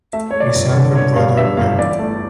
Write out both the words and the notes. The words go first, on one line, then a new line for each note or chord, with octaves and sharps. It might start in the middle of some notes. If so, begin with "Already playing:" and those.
His elder Brother Rev.
A3 E5
A3 C#5
D5
G1
C#5
D3
D3 C#5
G2 F5
G2 E5
G1 F5
E2 D5
A3